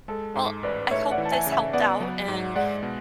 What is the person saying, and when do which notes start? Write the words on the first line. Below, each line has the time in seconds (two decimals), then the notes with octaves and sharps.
well, I hope this helped out, and
0.08 G#3 A4
0.36 G#2
0.63 A1 B4 D5
0.91 A3 C#5 E5
1.11 D5 F#5
1.18 E3
1.25 A5
1.31 E5 G#5
1.46 C#3
1.52 E5 G#5
1.73 B3 D5 F#5
2.00 F#3
2.28 G#2
2.56 G#3 D5 F#5
2.83 B2